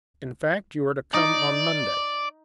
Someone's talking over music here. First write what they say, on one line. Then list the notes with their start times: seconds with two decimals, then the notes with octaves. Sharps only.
In fact, you are to come on Monday.
1.14 D#4 D5